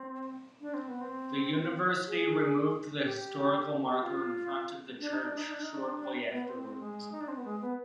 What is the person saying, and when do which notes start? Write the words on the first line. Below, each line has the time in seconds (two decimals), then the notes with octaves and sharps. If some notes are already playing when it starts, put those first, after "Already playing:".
The university removed the historical marker in front of the church shortly afterward.
Already playing: C4
0.61 D4
0.74 C4
0.88 B3
1.01 C4
2.07 G#4
3.05 G4
3.92 G4
4.03 F4
5.00 D4
5.13 D#4
5.25 D4
5.37 D#4
5.49 D4
5.61 D#4
5.74 D4
5.98 D4
6.31 B3
6.47 C4
6.63 C4
6.79 G#3
7.12 D#4
7.21 D4
7.28 C4
7.36 B3
7.45 G#3
7.61 B3